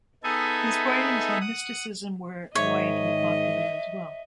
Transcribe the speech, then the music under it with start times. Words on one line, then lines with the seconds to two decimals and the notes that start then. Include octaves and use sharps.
His writings on mysticism were widely popular as well.
0.23 B3 D#4 G#4 A4 E5 G#5
1.41 F#5 D#6
2.55 G#2 D#3 C#5 D#5 E5